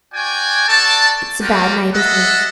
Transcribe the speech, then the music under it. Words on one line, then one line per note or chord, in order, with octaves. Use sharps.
It's a bad night, isn't it?
F#4 D5 G5 G#5
F#4 A4 D5 A5
F4 F#4 A#4 B4 D5 G5
A4 D#5 E5 F#5